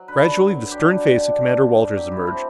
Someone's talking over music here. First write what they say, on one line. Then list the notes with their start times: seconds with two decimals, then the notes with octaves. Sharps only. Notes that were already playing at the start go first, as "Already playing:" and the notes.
Gradually the stern face of Commander Walters emerged.
Already playing: F#3
0.08 D3 B4
0.29 F#3
0.50 F#3
0.71 D3 G4
0.92 G3
1.13 D3
1.34 D3
1.54 D3
1.75 G3
1.96 F#3 G4
2.11 E4
2.17 A3
2.27 C4